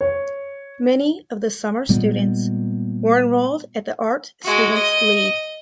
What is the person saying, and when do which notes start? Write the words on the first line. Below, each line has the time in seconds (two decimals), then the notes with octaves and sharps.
Many of the summer students were enrolled at the Art Students League.
0.01 C#5
1.89 A#2 G3 G#3 B3
4.44 G#3 F#4
4.73 D#5